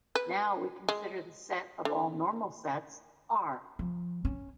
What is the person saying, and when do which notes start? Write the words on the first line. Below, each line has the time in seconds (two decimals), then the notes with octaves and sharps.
Now we consider the set of all normal sets, "R".
0.15 B4
0.89 G#3
1.85 D3
3.79 F3
4.25 C#4